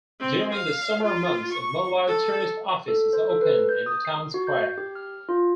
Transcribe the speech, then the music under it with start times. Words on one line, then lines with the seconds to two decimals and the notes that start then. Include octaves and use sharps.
During the summer months, a mobile tourist office is opened in the town square.
0.20 C4
0.54 F5
1.03 F4
1.52 C#6
2.07 A4
2.88 A4
3.13 C5
3.30 A4
3.41 B4
3.69 G6
3.86 D#6
4.05 C7
4.34 F#4
4.47 G6
4.78 G4
4.95 F6
5.29 F4